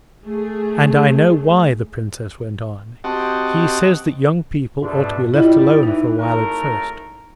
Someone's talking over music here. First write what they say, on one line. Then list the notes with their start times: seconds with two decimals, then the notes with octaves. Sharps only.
"And I know why," the princess went on; "he says that young people ought to be left alone for a while at first."
0.23 A3 G#4
3.04 C4 F#4 G4 D#5 F#5 A5
4.82 G#2 B2 A3 D4
5.34 G3 E4 F4 D#5
5.83 A1 E3 D#4
6.17 G#1 A3 A#4